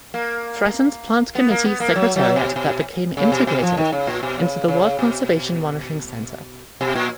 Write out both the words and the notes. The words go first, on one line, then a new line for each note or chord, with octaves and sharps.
Threatened Plant Committee Secretariat that became integrated into the World Conservation Monitoring Centre.
A#3
B3
A#3
B3
A#3
F#3
F#3
B2
B2
C#3
B2
B2
F3
D#3
C#3
A#2
B2
C#3
C#3
B2
B2
A#2